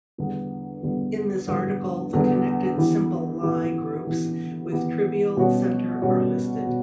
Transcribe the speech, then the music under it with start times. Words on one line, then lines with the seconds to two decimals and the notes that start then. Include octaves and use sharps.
In this article the connected simple Lie groups with trivial center are listed.
0.18 E2 D3 G3 B3
0.83 E2 D3 G3 B3
1.47 E2 D3 G3 B3
2.13 E2 D3 G3 B3
2.78 E3 B3 E4 G4
3.43 E3 B3 E4 G4
4.07 E3 B3 E4 G4
4.72 E3 B3 E4 G4
5.37 B2 G3 C#4 F#4
6.02 B2 G3 C#4 F#4
6.66 B2